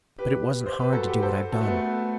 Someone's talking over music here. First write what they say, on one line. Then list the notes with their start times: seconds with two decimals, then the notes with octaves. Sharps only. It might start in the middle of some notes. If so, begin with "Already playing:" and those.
But it wasn't hard to do what I've done.
0.18 G4 B4
0.66 C5
0.79 B4
0.93 F#4 A4
1.07 G4 B4
1.22 A4 C5
1.52 F#4 A4
1.61 A3
1.68 B3